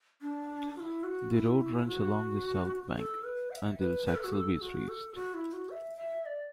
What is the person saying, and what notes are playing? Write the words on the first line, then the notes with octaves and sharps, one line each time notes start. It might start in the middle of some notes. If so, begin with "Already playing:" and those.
The road runs along the south bank, until Saxilby is reached.
D4
F#4
E4
F#4
E4
F#4
A4
B4
F#5
E5
B4
B4
A4
F#4
A4
F#4
A4
F#4
E4
F#4
E5
E5
D5